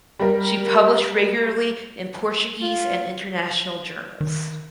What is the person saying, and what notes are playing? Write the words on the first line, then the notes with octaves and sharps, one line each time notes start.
She published regularly in Portuguese and international journals.
G3 A#4
F4
D#3